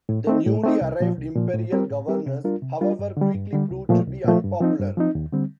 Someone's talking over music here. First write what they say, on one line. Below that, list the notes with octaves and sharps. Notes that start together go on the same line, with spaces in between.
The newly arrived Imperial governors, however, quickly proved to be unpopular.
A2
A3 C4 D#4
A2
A3 C4 D#4
C2
A#2 F3
C2
A#2 F3
A2
G3 C4 G4 A#4
A2
G3 C4 G4 A#4
C3
G3 D4 F4 A#4
C3
G3 D4 F4 A#4
G2
D3 G3
G2
D3 G3
C2
A#2 F3 A3
C2
A#2 F3 A3
G2
F3 C4 D#4
G2
F3 C4 D#4
D#2
D3 G3 C4